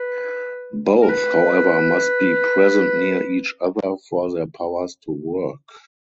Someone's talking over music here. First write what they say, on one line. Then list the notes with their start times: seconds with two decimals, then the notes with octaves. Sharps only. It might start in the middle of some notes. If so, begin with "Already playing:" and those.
Both however must be present near each other for their powers to work.
Already playing: B4
1.02 A#4
1.09 B4